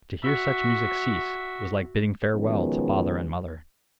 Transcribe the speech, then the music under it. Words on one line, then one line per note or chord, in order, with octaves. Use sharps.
To hear such music cease was like bidding farewell to father and mother.
F#4 E5
B2 D#3 F3 G#3 B3 C#4